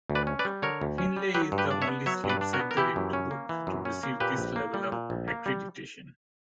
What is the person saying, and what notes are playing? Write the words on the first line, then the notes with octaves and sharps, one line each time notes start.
Finley is the only sleep center in Dubuque to receive this level of accreditation.
D2
B4 D5
C#4
B4 D5
G3
D3 A#4 C#5
D2
C#4
G3
F#3 G4 B4
G2
G4 B4
D4 D5
C#5 E5
B3
F#3 C#5 E5
G2
B4 D5
D4
F#4 A#4
B3
A#4
E3 E4 G4
F#2
C#4
A#3
E3
F#2
C#4
A#3
A#2 G4 B4
A#1
A#3
G3
A#2
A#1
A#3
G3